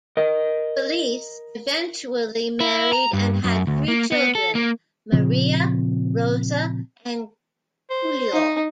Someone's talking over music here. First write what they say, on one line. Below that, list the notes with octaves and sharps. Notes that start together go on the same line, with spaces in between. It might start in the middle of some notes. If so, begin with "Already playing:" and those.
Felice eventually married and had three children: Maria, Rosa, and Giulio.
A#4 D#5
E4
A#5
G2
F#2
D2
A#3
B3
A4
A#3
A#2 C#3 F3 C4
C5
D#4